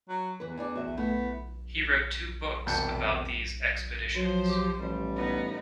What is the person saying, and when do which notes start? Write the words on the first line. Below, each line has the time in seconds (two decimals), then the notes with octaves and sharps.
He wrote two books about these expeditions.
0.09 F#3
0.40 E2 E3 B4
0.57 E3 D4 D5
0.75 F#4 E5
0.97 A3 B3 E4
2.66 E1 C2 A5 G6 C#7
4.15 F3 F#3 C5
4.49 G4
4.78 A1 G3
5.16 B3 D#4